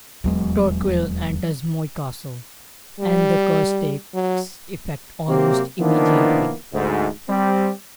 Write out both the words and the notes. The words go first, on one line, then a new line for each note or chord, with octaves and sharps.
Torquil enters Moy Castle, and the curse takes effect almost immediately.
D#1 E2 F#3 G#3
G3
F#3
C3 F#3 A#3 C4 G4
D#3 F3 A#3 B3 D4 E4
D2 G#2
G3 C4